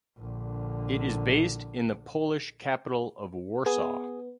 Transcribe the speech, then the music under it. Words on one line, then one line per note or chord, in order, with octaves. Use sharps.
It is based in the Polish capital of Warsaw.
A#1 D3
B3 G#4